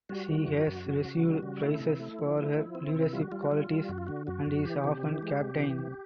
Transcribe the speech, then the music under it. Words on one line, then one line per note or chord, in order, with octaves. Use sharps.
She has received praise for her leadership qualities and is often captain.
G3 F#4
E3
F#2
F#2
C#3
C#3
G3
C#3
A3 E4
C3
A3
F3
A3
F3
C4
C3
G3 F4
F#4
G3 F4
F#4
G3 F4
G3
F#2 F#4
F4
D3 F#4
F#2 F#4
F#2
E3 G4
C3
E3
G#3
C3
E3
C3